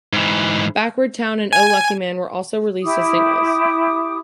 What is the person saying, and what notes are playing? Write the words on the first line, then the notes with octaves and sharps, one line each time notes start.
"Backward Town" and "O Lucky Man" were also released as singles.
G#2 E3
G#5
E4 G4 D6 D#6